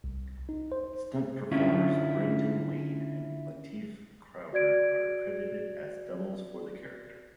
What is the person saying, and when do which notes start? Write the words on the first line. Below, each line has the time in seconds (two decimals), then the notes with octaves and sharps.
Stunt performers Brendan Wayne and Lateef Crowder are credited as doubles for the character.
0.04 C2
0.49 D#4
0.72 C5
1.51 D3 C#4 E4 F4
4.53 F#4 D5 G#6 D7